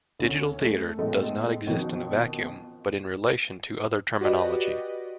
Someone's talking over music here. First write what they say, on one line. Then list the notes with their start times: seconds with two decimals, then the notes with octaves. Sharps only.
Digital theatre does not exist in a vacuum but in relation to other terminology.
0.19 D2 C#4
0.62 A3
0.98 A2 C#3 G#3 A3 B3
1.67 B2 D#3 F3 C4 C#4
4.21 F#4 G4 B4 D5 D#5